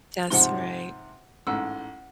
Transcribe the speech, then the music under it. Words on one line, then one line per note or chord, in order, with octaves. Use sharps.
That's right.
G#2 C3 F3 F#5 C6
A1 G#2 F#5 E6